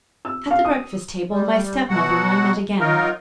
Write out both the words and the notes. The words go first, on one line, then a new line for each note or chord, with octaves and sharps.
At the breakfast table, my stepmother and I met again.
E6
F5
D#6
G3
B2 F#3 F#4 F#5
F#3 D#4 F4 A#4